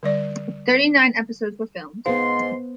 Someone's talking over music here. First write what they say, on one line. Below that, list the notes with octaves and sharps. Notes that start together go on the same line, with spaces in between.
Thirty-nine episodes were filmed.
D3 G3 D5
G#2 B3 C5 F5 C6